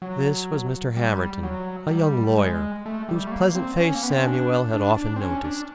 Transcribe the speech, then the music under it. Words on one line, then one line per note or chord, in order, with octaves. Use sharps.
This was Mr. Hamerton, a young lawyer, whose pleasant face Samuel had often noticed.
F#3
G3
F#3
G3
G#3
A3
G3
A3
A#3
C4
C#4
A#3
B3
C4
C#4
D4
D4
D4
C4
C#4
D4